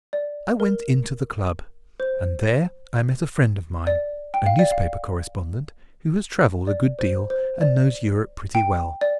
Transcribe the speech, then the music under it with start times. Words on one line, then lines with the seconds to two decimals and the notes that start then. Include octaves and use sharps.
I went into the club, and there I met a friend of mine--a newspaper correspondent--who has travelled a good deal, and knows Europe pretty well.
0.13 D5
0.60 A#4
2.00 C5
3.87 D5
4.34 G5
4.46 F5
4.59 D5
4.72 F5
6.67 D5
6.99 C5
7.30 C5
7.61 D5
8.55 G5
9.01 D5